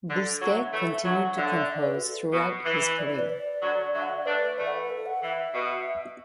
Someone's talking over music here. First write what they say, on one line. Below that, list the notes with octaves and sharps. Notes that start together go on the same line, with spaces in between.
Bousquet continued to compose throughout his career.
D3 A4
D3 F#3
F#5
E5
E3 A3 E5
D3 F#3 F#5
D3 E5
F#5
E5
D5
B4
F#4
A4
B2
E3
D5
D5
B4
D5
D3 F#3
D3 F#3 E5
F#5
E5
D5
A3 D4 B4
B4
E3 A3 D5
F#5
B4
A4
F#5
E3 E5
B2